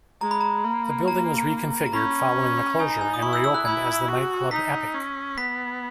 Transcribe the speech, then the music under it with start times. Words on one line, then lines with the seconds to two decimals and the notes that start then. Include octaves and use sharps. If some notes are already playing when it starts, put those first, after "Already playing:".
The building was reconfigured following the closure and reopened as the nightclub Epic.
0.21 G#3 A#5
0.31 B5
0.41 A#5
0.64 A#3
1.08 A#5
1.86 A#5
1.93 C#4 B5
2.79 D#4 G#5
2.90 A#5
3.01 G#5
3.14 D#6
3.22 E4 C#6
3.33 E6
3.44 E6
3.54 F#6
3.65 E4 G#6
4.09 F#4
4.51 D#4 B6
4.94 C#4
5.38 B3 B6